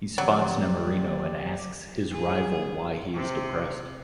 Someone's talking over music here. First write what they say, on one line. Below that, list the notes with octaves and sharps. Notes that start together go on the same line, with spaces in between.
He spots Nemorino and asks his rival why he is depressed.
D3 F3 F#3 C4 G4 D5
G#4
C3